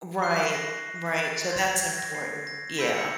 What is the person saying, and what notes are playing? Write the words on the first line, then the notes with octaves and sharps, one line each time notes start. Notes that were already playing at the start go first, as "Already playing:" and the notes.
Right, right. So, that's important. Yeah.
C#6 F#6 C7
C7
B6
A#6
A6
C6 E6 G6 G#6
G#6
A#6
C7
A#6
B5 E6 G6 B6
C#7